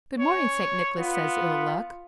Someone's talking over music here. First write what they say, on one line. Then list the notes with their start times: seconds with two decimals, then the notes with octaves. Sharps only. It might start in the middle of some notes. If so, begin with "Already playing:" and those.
"Good-morning, St. Nicholas," says Ill-Luck.
0.20 C#4 C#5
0.99 B3 F4